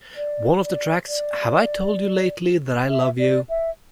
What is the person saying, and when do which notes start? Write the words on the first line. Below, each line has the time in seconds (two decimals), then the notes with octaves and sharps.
One of the tracks, Have I Told You Lately That I Love You?
0.16 D5
0.63 D5
1.08 D5
2.89 E5
3.19 D5
3.49 E5